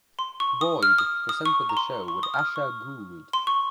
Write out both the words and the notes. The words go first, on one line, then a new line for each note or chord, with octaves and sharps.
Boyd presented the show with Asher Gould.
C6
C#6
D#6
F6
D#6
D#6
C#6
A#5
C6
C#6
D#6
F6
D#6
C#6
C6
C#6